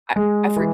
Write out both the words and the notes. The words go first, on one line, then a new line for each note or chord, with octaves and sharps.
I I for
G#3
E3